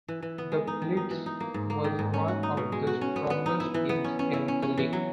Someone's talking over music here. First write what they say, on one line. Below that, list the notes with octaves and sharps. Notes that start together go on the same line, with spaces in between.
The Blitz was one of the strongest teams in the league.
E3
E3
B3
G#3
D#4
D#3
D#4
E3
D#4
A#3
G#2
A#3
D#3
G#2
C#4
F#4
D#4
B2
G#3
F#4
C#4
B3
B3
D#4
E4
E3
B3
C#4
C#4
E4
C#4
C#4
E3
F#3